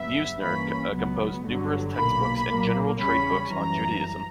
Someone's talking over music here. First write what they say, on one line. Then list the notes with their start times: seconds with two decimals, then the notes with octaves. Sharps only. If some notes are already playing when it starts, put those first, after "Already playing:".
Neusner composed numerous textbooks and general trade books on Judaism.
Already playing: G1 G2 F#3 B3 E5
0.41 G2 E3 A#3 C#4 B5
0.93 C#2 B2 F#3 B3
1.44 G1 G2 D3 F#3
1.96 B1 A#2 A#3 B5
2.47 A#2 F#3 A#3
2.99 E2 C#3 G3 C#4 B5
3.51 F#2 E3 G3 A#5